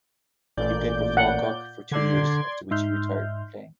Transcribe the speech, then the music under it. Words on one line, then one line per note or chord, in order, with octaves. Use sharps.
He played for Falkirk for two years, after which he retired from playing.
A1 A#2 D5 G6
F#5
D3 D5 C6 G#6
G#2 D#4 E5 C6 F6 G6